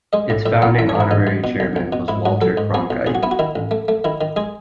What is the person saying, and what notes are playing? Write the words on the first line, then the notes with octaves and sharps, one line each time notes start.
Its founding honorary chairman was Walter Cronkite.
G#3 D#5
A2
A2 E5
B3 F#5
A1 E5
C#5
A1
E4
A1 D#4
G#2
B2
B1
B1
B2
G#2 E4
G#2 F#4
F#3 A4
G#2
B3 G#4
B1
B1 G#4
F#4
B3 E4
F#4
D#3 E4
A1
A3
A3
D#3 E4
D#3
G#3 G#4